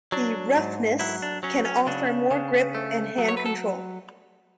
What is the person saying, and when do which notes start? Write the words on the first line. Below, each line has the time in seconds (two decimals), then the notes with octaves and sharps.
The roughness can offer more grip and hand control.
0.12 F#3 D4
0.56 G#2
0.99 F#3 E4
1.22 D4
1.43 F#3 C#4
1.65 C#4
1.87 C#3 D4
2.31 C#3
2.75 A3
3.18 F#3
3.28 C#5
3.37 B4
3.46 A4